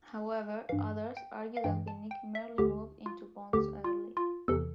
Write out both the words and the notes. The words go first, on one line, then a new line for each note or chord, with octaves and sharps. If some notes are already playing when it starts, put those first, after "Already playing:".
However, others argue that Vinik merely moved into bonds early.
G2 E3 F5
G5
F5
G2 E3 G5
A5
G5
E5
D2 D3 G4
F4
D2 D3 G4
F4
F4
E2 C3 E3 A4